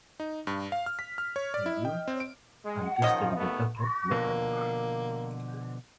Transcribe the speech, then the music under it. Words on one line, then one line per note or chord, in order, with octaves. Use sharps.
He built and tested the "Turtle" locally.
D#4
G2
F5
F6
B6
F6
C#5
D5
E4
G5
C4
D7
G#3
D#3 F3 G#3 C#4 D#5
D#2 A3 B3
B2 D3 F3 A#3